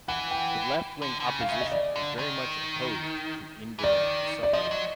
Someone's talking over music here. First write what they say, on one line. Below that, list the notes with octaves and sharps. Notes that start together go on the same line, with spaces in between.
The left wing opposition was very much opposed to indirect suffrage.
E3 F#5
G5
D3
D3
C#3
F5
C#3 E5
D#5
D5
D3
D#3
E3
D#3 D5
D5
F3 D#5
F#3